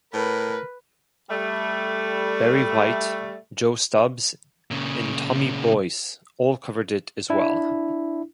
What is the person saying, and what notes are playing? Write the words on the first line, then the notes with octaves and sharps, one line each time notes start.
Barry White, Joe Stubbs and Tommy Boyce all covered it as well.
A2 A#4 B4
G3 A3
A#2 C#3
D4 E4